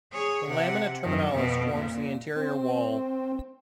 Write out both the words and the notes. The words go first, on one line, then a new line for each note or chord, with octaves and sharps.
The lamina terminalis forms the anterior wall.
G#4 C#5
C3 F#5
F#2 D#3
F2 B2
A#2
C4